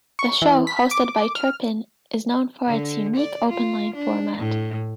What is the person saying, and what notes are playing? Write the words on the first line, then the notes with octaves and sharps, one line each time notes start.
The show, hosted by Turpin, is known for its unique open-line format.
C#6
E3
B6
D6
F6
D3
D5
F4
D4
A2